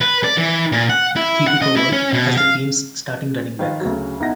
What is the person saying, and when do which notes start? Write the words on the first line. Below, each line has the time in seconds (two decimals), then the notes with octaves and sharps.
He took over as the teams starting running back.
0.01 B4
0.24 D5
0.37 E3
0.72 A#2
0.89 F#5
1.16 E4
1.47 F#5
1.62 D#5
1.77 E4
1.92 C#4
2.13 B2
2.37 F5
3.59 D#3 F3 F4 B4
3.81 D2 C#3 F#3
4.20 B1 D#4 E4 F#5 A#6